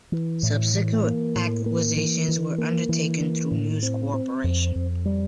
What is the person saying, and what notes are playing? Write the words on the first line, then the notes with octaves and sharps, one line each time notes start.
Subsequent acquisitions were undertaken through News Corporation.
E3
A2
E3
A#3
A2
A#3
E3
E3
A#3
E3
A#3
A2
C4
C4
F2
F2
G3